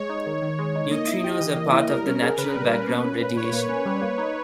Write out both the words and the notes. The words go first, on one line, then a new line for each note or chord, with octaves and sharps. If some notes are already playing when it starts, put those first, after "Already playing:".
Neutrinos are part of the natural background radiation.
Already playing: G#3 C#5
D#4
D#3
D#3
G#3
D#4
A#3 D#5
E4
G4
E3
A#3
E4
G3 A#4
C#4
G#4
C#3 B4
G3
C#4
A#3
C#4
A#2
A#2 C#5
A#3
C#4
G3
A#3
D#4